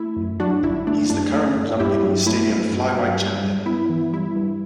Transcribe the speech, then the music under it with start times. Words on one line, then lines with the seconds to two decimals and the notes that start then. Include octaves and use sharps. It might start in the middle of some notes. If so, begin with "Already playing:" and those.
He is the current Lumpinee Stadium Flyweight champion.
Already playing: A3 E4
0.16 F#2
0.40 F#3 D4 F#4
0.63 G1 E4
0.87 A3 D4
1.10 F#2 D4
1.33 A3
1.56 G2
1.79 G2 E4 G4
2.03 F#3
2.26 A3 E4
2.50 G2
2.73 G2
2.96 F#3
3.20 G3
3.43 G2
3.66 B3 E4
3.89 E3
4.13 G3 E4
4.36 G2